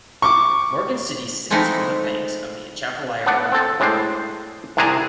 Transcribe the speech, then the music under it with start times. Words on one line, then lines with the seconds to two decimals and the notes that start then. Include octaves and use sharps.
Morgan City sits on the banks of the Atchafalaya River.
0.22 C#6 D6
1.50 F3 G#3 A3 C4 D#4 E4
3.26 B3 D4 F#5
3.52 C4 A4
3.80 A2 G#3 D4 C5
4.77 C2 C3 D4 E4 G#4 A#5